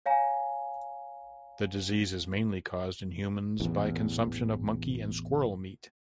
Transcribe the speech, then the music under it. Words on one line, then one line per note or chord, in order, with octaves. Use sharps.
The disease is mainly caused in humans by consumption of monkey and squirrel meat.
C#5 F5 G#5 A#5
A1 E2